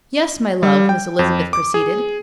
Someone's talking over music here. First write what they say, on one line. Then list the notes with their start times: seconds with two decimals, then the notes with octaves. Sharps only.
"Yes, my love!" Miss Elizabeth proceeded.
0.63 G3
0.89 G5
1.19 F2
1.53 D6
1.74 G#4